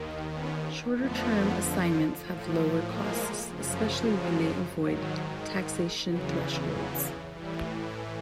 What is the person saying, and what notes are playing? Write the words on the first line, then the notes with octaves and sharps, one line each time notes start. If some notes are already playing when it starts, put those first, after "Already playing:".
Shorter term assignments have lower costs, especially when they avoid taxation thresholds.
Already playing: D#2 D#3
B3 C#4
F2 D3 F3 A3 B3
A2 F3
G#3 A#3
F#2 C#3 F3
F#3 G#3
G#2 D#3 F#3
E2 C#3 E3 F#3
F#3
A2 E3 G3